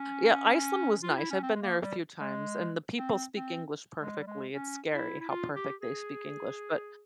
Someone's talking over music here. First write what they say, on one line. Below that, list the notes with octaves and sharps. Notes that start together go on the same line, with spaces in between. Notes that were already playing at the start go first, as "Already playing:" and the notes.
Yeah, Iceland was nice, I've been there a few times, and the people speak English perfectly. It's scary how perfect they speak English, but
Already playing: C#4
F4
E4
C#4
C4
G#3
A#3
G3
G#3
C4
C4
G#3
G3
G#3
C#4
E4
E4
F4
G4
G#4